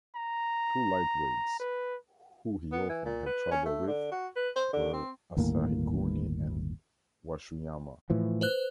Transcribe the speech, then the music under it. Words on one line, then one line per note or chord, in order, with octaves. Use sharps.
Two lightweights who he often had trouble with were Asahikuni and Washuyama.
A#5
B4
B3
E3
A#2
B4
C#4
A3
D3
F#4
B4
C5
D3
C4
G1 D#2 A2 A#3
A2 E3 F3
B4 C5 F#6